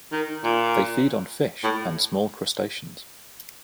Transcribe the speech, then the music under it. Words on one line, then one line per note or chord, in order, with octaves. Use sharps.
They feed on fish and small crustaceans.
D#3
A#2
A2